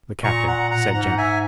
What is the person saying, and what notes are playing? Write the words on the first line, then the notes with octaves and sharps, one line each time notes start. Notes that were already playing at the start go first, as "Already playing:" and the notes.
The Captain said gently.
A#2 A#5 C#6
F#5 A#5
F#5 A#5
G#2 F#5 A#5
E5 G#5